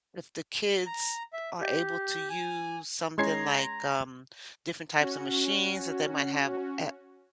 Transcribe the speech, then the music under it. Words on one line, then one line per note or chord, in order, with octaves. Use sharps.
if the kids are able to use something, like, um, different types of machines that they might have at
A#5
E5
G4
G#5
G#3 C#4 A#5 C6 G#6 C7
C#4 F#4